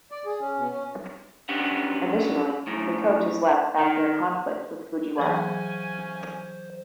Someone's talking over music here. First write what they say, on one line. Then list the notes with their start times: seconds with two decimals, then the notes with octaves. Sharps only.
Additionally, the coach has left after a conflict with Fujiwara.
0.11 D5
0.26 G#4
0.41 C#4
0.58 B2
0.72 C#4
1.49 B3 C#4 D4 G4 F#5
2.67 F#2 A2
3.78 D#3
5.18 C#3 E3 F#3 C#4 G#4 C5 G#5